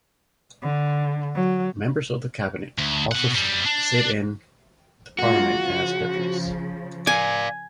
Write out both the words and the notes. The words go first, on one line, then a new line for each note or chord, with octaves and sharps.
Members of the cabinet also sit in the parliament as deputies.
D3
F#3
D2
B2 F#5
F#2 G3
D4
G#3 A#3 F4 F#4
C#3 F3
D5 F5 G#5